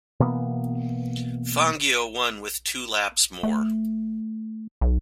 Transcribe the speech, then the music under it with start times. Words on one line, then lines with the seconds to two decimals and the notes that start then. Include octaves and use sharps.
Fangio won with two laps more.
0.20 B2 E3 A#3 B3
3.43 A3
4.81 B1